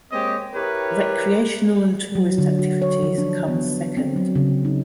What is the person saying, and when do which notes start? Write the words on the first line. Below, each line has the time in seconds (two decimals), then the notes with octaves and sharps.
Recreational and tourist activities come second.
0.12 G#3 A#3 C4 G4 C#5 D#5
0.54 E4 G4 A#4 B4 C#5
2.15 F#3
2.38 D3
2.59 F#4
2.82 C#5
3.03 F3
3.18 D4
3.48 B3
3.97 C4
4.16 F#3
4.35 C#3
4.65 D#4